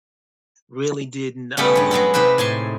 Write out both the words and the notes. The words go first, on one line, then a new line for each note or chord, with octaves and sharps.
really didn't, um,
C#3 G3 A3 B3 C#4 G4
G2 C#5
F#3 G#3 B3 A4
C3 D#4 G4 B4 E5
A2 G#5 A5 C6